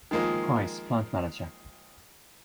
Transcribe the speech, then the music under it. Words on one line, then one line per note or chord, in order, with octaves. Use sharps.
Price, plant manager.
D#3 F3 G#3 A#3